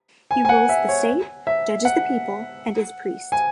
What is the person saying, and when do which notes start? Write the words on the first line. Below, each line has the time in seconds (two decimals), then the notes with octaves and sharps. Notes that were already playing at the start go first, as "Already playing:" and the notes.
He rules the state, judges the people, and is priest.
0.31 G#5
0.45 G#5
0.49 F#5
0.69 E5
0.89 C#5
1.47 E5
1.85 F#5
3.32 G#5